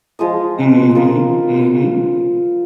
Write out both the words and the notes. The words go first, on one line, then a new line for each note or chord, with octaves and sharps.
Mhm. Mhm.
F3 G#3 F4 D#6
F4 A#4 B5